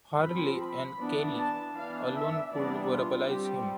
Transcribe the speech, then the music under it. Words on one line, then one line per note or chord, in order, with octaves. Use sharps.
Harley and Keeley alone could verbalize him.
F3 C4 B5
B5
E3 B3 D4
A5
E3 B3 D4 F5
E5
E3 G3 B3 D4 D5
F4
G3 C4 G4